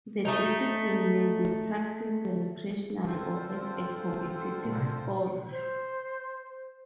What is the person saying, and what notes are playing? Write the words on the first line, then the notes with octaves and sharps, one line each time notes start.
The discipline may be practiced recreationally or as a competitive sport.
A3 D#4
D3 C4 F4 A4 C5
C5